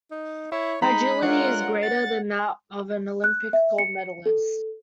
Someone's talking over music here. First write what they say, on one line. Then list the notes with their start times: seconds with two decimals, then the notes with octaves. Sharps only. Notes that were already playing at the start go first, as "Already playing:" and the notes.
Her agility is greater than that of an Olympic gold medalist.
0.11 D#4
0.52 E4 C#5
0.82 G#3 D#4 A#5 B5
1.22 D4 F4 A#4 B4 C#5 F#5
1.83 F#5 A6
3.24 F#6
3.53 E5
3.78 C#7
4.26 A4